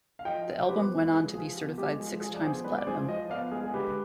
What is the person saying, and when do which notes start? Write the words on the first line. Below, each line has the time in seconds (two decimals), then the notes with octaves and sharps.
The album went on to be certified six-times-platinum.
0.19 F5
0.25 F3 D#5 G5
0.48 F3
0.63 C5
0.69 B3 G4 B4
0.91 G#3
1.04 B4
1.13 F3 G#4
1.34 F3 G#4
1.56 B3 G4
1.78 G#3 G4
2.00 F3 G#4
2.21 F3 G#4
2.34 D5
2.43 B3 G#4 C5
2.64 G#3 B4 D5
2.78 D5
2.87 F3 G#4 C5
3.09 F3 C5 D#5
3.30 B3 D5 F5
3.51 G#3 G#4
3.64 G#4
3.74 D3 G4 B4